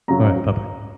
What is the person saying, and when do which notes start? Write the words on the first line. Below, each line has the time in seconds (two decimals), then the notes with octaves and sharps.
Alright, bye-bye.
0.08 F#2 C#3 F#3 A#5